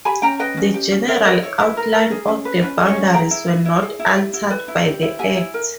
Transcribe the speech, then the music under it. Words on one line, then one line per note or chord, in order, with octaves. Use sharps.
The general outline of the boundaries were not altered by the Act.
G4 G#5 B5
C#4 G5 A#5
B4 D#5 G5
C#4
G4
C#4
A#4 C#5 E5
A#4 B4 D#5
E4 C#5
E4 B4
A#4
A#4
G#4
C#4
B4
C#4 B4
G#4
C#5
C#4
G#4 G5 A#5
E4
B4
E4
G#4
E4
G4
E4
B4
E4
G4
E4
G4 E5 G#5
E4
A#4